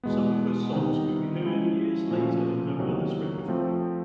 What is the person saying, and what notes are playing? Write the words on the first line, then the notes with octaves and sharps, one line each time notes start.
Some of her songs could be heard years later in her mother's repertoire.
E2 B2 G#3 B3
C3 D#3 G3 B3 D#4
F3 G#3 C#4 E4
A#2 F3 A3 C#4 F#4
E2 C3 D#3 F#3 A#3
F3 A3 C4